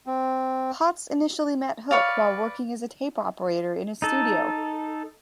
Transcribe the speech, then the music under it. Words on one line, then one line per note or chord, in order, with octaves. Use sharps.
Potts initially met Hook while working as a tape operator in his studio.
C4
B4 C#5 D5 F5
D#4 A4